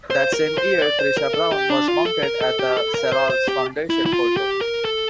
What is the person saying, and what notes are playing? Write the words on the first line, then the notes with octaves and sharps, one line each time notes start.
That same year, "Trisha Brown" was mounted at the Serralves Foundation, Porto.
C5
A#4
C5
D5
C5
A#4
A4
G4
D4
F4
A4
A#4
A4
G4
A4
A#4
C5
C5
G4
E4
E4
F4
G4
A#4
A4